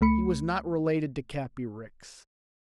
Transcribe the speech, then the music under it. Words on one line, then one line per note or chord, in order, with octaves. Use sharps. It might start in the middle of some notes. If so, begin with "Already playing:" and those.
He was not related to Cappy Ricks.
C#2 A3 B5 C#7